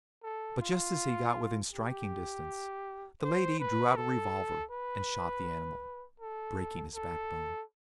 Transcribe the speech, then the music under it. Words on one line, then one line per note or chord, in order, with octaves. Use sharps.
But just as he got within striking distance, the lady drew out a revolver and shot the animal, breaking his backbone.
A4
F4
G4
C5
B4
A4
B4
A4
A4